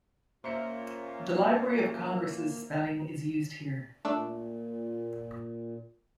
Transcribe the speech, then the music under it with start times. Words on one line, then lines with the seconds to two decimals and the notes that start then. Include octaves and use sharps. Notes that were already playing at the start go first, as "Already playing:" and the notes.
The Library of Congress's spelling is used here.
0.44 A#2 A#3 C#4 F4 C5 E5 A#5 C#7
4.05 A#2 A3 D4 E6